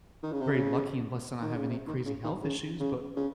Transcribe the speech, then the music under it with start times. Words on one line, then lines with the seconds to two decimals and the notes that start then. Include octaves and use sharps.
very lucky and blessed to not have any crazy health issues, but
0.23 D#3
0.32 C#3
0.41 C3
0.50 C#3
1.42 D#3
1.55 C#3
1.69 C3
1.87 D#3
2.05 C#3
2.24 D#3
2.42 C#3
2.80 C#3
3.16 C#3